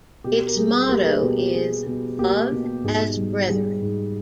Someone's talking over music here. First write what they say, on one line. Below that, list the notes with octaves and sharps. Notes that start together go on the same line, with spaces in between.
Its motto is "Love as Brethren".
B2 G4
A#4
G3 G#4
A#3 G4 A#4
G#4 B4
B2 G4 A#4
G4
B2 G#4
B2 G#4
A#3 G4
B2
G#2 G#4
G3
G3 G#4
G#2